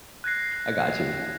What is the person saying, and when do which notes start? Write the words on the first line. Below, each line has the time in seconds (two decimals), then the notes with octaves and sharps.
I gotchu."
0.24 F#6 G#6 A#6 C7